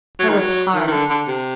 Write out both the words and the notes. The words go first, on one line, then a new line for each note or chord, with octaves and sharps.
Oh it's hard.
F#3
D#3
F#3
D#3
D#3
D3
D3
C3